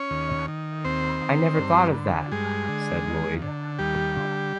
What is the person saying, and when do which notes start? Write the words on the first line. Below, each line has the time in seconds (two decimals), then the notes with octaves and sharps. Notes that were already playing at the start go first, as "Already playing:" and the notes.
"I never thought of that," said Lloyd.
Already playing: C#4 C#5
0.11 D#2
0.48 D#3
0.84 D#2 C4 C5
1.22 D#3
1.58 G2
1.95 D3
2.32 G2 G#3 G#4
2.68 D3
3.06 D#2
3.42 D3
3.79 D#2 G3 G4
4.16 D3